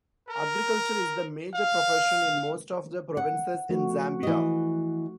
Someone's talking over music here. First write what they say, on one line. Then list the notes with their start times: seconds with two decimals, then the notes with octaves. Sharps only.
Agriculture is the major profession in most of the provinces in Zambia.
0.29 A#4
1.53 F5
3.17 F#5
3.69 F3 A3 F#4
4.23 E3 D#5